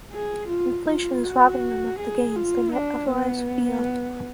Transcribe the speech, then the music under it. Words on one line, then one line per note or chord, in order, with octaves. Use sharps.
Inflation is robbing them of the gains they might otherwise feel.
G#4
F4
F4
F#4
G#4
F4
D4
B3